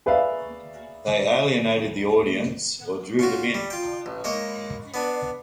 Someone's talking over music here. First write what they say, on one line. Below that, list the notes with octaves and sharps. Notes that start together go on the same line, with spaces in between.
They alienated the audience or drew them in.
G#4 B4 D5 E5 F5
C#4 F4 F#4
G3
F4 G5
A1
G#3 A#3 C#5
B3 D4